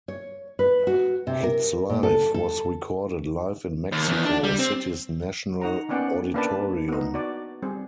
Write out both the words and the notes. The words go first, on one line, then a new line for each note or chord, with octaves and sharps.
HitsLive was recorded live in Mexico City's National Auditorium.
C#5
B4
F#4
C3
A#4
A#2
A4
A4
D#2
E2
D4
G3
C4
D#4 F#5 A#5
A#3 B3 C#4 D5 F#5 G5
A#3 D4 B4 D5 G5 A5
B3 D#4
F#4 D5
G3 C4 G#4